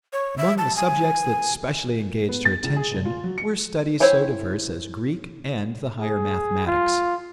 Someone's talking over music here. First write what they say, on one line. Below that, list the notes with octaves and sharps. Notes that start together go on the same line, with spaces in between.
Among the subjects that specially engaged her attention were studies so diverse as Greek and the higher mathematics.
C#5
E5
A5
G#5
B3
A6
C#2
G#4
F1
F4
F#3
C#7
E4 C5 C#5 G5 G#5
G#4
F4